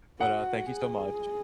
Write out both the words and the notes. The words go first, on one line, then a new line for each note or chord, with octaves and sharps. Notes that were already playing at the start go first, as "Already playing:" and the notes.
But, uh, thank you so much
F#4 F#5
G#4